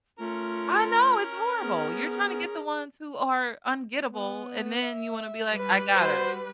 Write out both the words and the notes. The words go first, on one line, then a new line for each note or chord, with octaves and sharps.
I know it's horrible, you're tryna get the ones who are ungettable and then you wanna be like, "I got her."
A3 C#4 F4 A#4
B3 G#4
B3
E5
G3 B4
F#4 C5